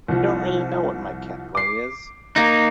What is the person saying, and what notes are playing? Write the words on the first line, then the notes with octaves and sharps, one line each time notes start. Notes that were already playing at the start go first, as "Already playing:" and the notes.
I don't really know what my category is.
C2 F3
D6 C7
A#3 D#4